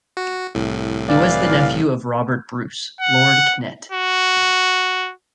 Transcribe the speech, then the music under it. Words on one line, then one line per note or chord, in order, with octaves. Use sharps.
He was the nephew of Robert Bruce, Lord Kennet.
F#4
C2 A2
E3 D5 F5
F#5
F#4